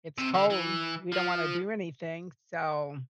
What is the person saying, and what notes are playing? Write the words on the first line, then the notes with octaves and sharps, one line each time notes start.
it's cold. We don't wanna do anything. So,
C3
D3
E3
F3